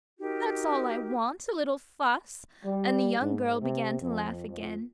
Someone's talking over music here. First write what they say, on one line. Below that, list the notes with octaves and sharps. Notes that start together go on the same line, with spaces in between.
"That's all I want--a little fuss!" And the young girl began to laugh again.
D#4 F#4 G4 A#4
G3
G#2
C3
F2
F2